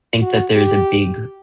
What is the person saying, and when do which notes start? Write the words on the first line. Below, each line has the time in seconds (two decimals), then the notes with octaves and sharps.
Think that there's a big
0.22 F#4
0.56 G4